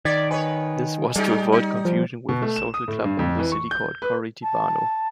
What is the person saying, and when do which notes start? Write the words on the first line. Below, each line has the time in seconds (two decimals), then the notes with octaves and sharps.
This was to avoid confusion with a social club in the city called "Coritibano".
0.05 D#3 D5 G#6 A6 B6
0.31 B4 C#5 D#5 G#5
1.16 G3 G#3 D#4
1.52 D#4
1.85 F3
2.29 B2
2.42 A3
2.56 E7
2.74 D#6
2.88 A2
3.04 G2
3.19 F2
3.39 E3
3.52 C#6
3.71 G6
4.02 B4
4.42 A5